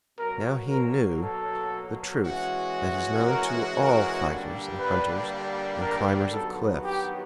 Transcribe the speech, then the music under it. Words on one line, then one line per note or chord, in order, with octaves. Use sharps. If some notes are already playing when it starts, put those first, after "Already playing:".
Now he knew the truth that is known to all fighters, and hunters, and climbers of cliffs.
B2 F#3 A#3 A#4
A#4
A4
E3 G#3 C#4 F#4
A#4
A#4
G2 D3 G3 A#3 D4
B4
A#4
G2 D#3 F#3 B3 A4
G4